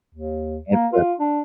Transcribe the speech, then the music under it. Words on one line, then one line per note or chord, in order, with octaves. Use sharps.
and for
D#2
A#3
F4
D4